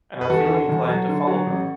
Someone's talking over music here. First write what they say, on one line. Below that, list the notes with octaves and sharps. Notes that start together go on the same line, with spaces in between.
And I’m feeling inclined to follow them.
B4
E2 F#4 A4
D3
E2
F#3
D3
F#3
A1